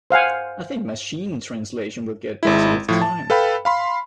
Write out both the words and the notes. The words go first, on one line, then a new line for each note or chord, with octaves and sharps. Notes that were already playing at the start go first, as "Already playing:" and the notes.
I think Machine Translation will get better with time.
C5 F5 F#5 G#5
G#1 G#3 E4
A2 F3
A5
A4 B4 F5 G5 B5
F5 B5 C6